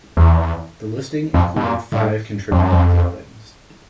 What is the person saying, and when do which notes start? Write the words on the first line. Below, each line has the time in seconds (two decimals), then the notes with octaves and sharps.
The listing included five contributing buildings.
0.17 E2
1.34 F2
1.56 B2
1.63 A#2
1.92 A2
2.52 F2
2.62 F#2
2.71 F2